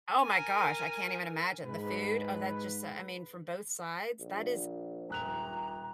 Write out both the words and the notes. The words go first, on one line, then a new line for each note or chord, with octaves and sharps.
Oh my gosh! I can't even imagine, the food? Oh, that just, uh I mean, from both sides, that is
A#4 G#5
G#2 B4
A#1
D#1 A#5 F#6 F7